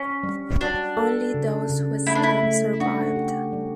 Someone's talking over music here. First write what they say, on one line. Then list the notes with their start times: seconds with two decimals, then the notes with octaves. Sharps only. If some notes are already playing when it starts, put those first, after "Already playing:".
Only those who escaped survived.
Already playing: C#4
0.23 G3
0.61 D4 F#4
0.97 A4
1.34 C#3
1.70 C#3
2.06 A3 E4
2.15 D4
2.23 E4
2.43 A3
2.80 D4 F#4
3.16 G4
3.53 G3